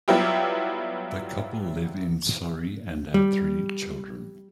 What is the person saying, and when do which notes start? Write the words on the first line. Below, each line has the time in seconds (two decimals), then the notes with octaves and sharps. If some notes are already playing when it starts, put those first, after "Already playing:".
The couple live in Surrey and have three children.
0.08 F#3 G3 B3 E4 F4 G4
3.14 G3